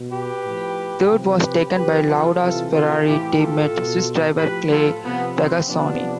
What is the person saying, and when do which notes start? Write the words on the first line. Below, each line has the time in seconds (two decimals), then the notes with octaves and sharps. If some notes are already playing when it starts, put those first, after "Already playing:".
Third was taken by Lauda's Ferrari team mate, Swiss driver Clay Regazzoni.
Already playing: B2
0.12 G4 B4
0.45 A2 F3
1.10 C3 F3
1.42 G4 B4
1.75 C3 F3 G4 B4
2.09 F4 A4
2.41 C3 E3 F4 A4
2.74 F4 A4
3.06 A2 E3 E4 G4
3.39 F4 A4
3.73 B2
4.38 A2 F3 G4 B4
4.70 F4 A4
5.03 C3 F3 B3
5.36 C4
5.68 C3 F3 B3 D4